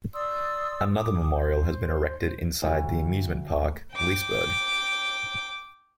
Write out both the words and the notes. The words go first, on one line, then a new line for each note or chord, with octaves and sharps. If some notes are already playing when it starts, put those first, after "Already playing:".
Another memorial has been erected inside the amusement park Liseberg.
D5 C6 D#6 E6
D6 D#6
C5
D2
G5 D6